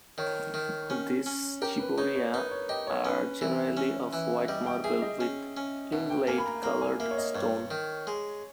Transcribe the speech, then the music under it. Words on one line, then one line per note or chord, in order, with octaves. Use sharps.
These "ciboria" are generally of white marble, with inlaid coloured stone.
D#3 C#5
D#3
C#4
C#4
G4 A#4
B4
D#4 C#5
C#5
D#4 B4
C#5
G4 D#5
C#5
C#4 B4
E3
C#4
E3
G3 D#5
G5
G#4 E5
D#5
C#4
C#4
B2 E5
G5
A#3 G#5
B5
A#5
A#3 A#5
G#5
A#3 E5
C#5
D#5
G2 C#5
D#3
G#3